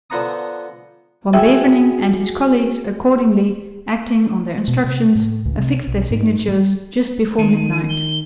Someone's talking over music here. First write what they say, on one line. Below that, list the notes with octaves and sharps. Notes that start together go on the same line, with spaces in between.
Van Beverningh and his colleagues accordingly, acting on their instructions, affixed their signatures just before midnight.
D3 F3 B3 F#5 A#5 D#6
E4 F#4 G#4 E5 G5
B2
C3
A2
C#2
C3
B1
G#2
G3
D#3 D#7
G7